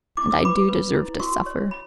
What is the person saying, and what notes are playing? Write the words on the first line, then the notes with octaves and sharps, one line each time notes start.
And I do deserve to suffer.
E4 D6
E6
B4 B5 D6
B4
E4
F#4 C#6 E6
C#5
B5